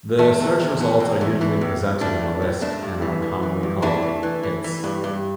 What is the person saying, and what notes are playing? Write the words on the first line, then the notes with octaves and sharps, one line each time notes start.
The search results are usually presented in a list and are commonly called "hits".
E2 A3
E2
E2
B2
E2
E2
E3
A2
A2
A2 A3 D4
E3
A2
G2 A3 D4
G2
E3
E3
E3
G2
E3 A3 D4
E3
E3
E3
E3
G2
G2